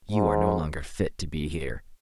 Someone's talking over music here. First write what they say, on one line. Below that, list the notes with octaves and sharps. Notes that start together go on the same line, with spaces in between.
You are no longer fit to be here.
G#2